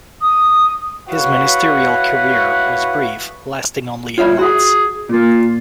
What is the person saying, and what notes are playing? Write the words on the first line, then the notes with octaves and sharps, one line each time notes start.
His ministerial career was brief, lasting only eight months.
D#6
E4 F#4 B4 C#5 F5 F#5
G3 F4 C#5 E5
F#4 G#4
A#2 A#3 F4